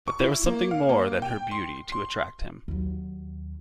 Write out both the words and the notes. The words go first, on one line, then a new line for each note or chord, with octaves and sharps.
But there was something more than her beauty to attract him.
C#6
E4
A#3
F5
A#3
G5
C6
C6
D#2 F#3